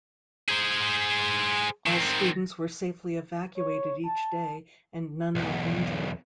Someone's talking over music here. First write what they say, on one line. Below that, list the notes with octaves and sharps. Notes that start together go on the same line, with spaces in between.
All students were safely evacuated each day and none were injured.
G#4 C5
D#3 C4
C#5
A5
B1 E2